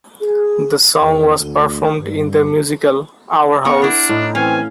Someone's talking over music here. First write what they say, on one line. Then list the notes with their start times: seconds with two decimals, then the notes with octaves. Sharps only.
The song was performed in the musical, 'Our House.
0.21 G#4
1.00 E2
1.39 D2
1.99 G2
3.65 B3 A#4 C#6
3.82 D4 E4 A#4
4.09 A2 D#4
4.35 E3 C4 C#4 F5 G#5